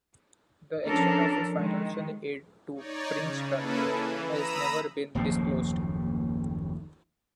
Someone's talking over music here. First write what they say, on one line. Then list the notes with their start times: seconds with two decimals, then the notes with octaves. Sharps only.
The extent of his financial aid to Princeton has never been disclosed.
0.87 F3 C#4 D4 A4 A#4
1.57 D#3 G#3
2.75 D#4 C#5 D5
3.14 C#3
3.52 A#3 C#4 E4 G#4 A4 B4
3.82 E3
4.26 A#5 B5 D#6 E6
5.15 F#1 D#2 A2 F3